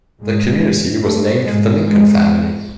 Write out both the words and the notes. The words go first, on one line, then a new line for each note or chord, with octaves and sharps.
The community was named for the Lincoln family.
G#2 G#3
A2 A3
G#2 G#3
G#2 G#3